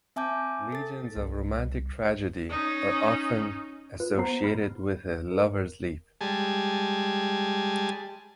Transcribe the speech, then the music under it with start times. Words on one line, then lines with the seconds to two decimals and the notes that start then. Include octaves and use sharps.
Legends of romantic tragedy are often associated with a Lovers' Leap.
0.16 C4 E5 G#5 A5 D6 G6
0.72 A4 A6
1.16 C2
2.50 C#4 D#4
4.00 F4 B4
4.18 B3 C5 A5 A#5 C7
4.44 B5 F6
5.32 A#4
6.21 G3 G#3 G#5 A5